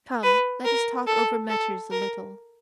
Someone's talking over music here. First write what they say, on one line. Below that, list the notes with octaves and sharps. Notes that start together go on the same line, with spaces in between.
Come! let us talk over matters a little.
B4
A#4
A4
A4
A#4